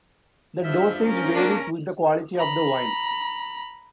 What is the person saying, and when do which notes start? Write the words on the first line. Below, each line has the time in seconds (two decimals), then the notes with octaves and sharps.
The dosage varies with the quality of the wine.
0.64 G2 F3 F4 E5
1.02 C#4 A#4
1.35 A#3 D4
2.38 A#5 B5